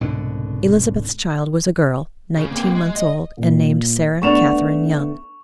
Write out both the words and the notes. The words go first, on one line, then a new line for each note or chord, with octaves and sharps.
Elizabeth's child was a girl, nineteen months old, and named Sarah Catharine Young.
C2 G#2 B2 D3
C#3
A#3 C4
G#3
D#5
A#2
A3 B3 D4 C#6 E7 F7